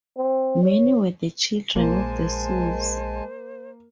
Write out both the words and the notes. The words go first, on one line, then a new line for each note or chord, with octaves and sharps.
Many were the children of The Souls.
C4
C#5
A#1 G#3 A#3 C5 G#5 A5